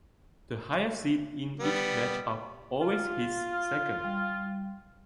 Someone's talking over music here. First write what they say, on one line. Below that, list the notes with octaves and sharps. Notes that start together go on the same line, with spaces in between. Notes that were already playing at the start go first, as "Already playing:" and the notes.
The higher seed in each matchup always hits second.
G3 B3
F4
G3